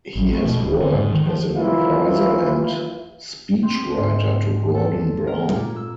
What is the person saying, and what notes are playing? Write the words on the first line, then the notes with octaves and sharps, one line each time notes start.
He has worked as an advisor and speechwriter to Gordon Brown.
A1
A3
B2
D1
D3
G#2
D#3
F3
D#2 E3 F#3 E4 F4
C4
G#2
A4
A#4
A#2
E6